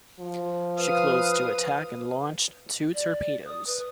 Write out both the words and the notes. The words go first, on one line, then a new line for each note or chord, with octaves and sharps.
She closed to attack and launched two torpedoes.
F3
B4 F5 D#6
D5
D#6
B4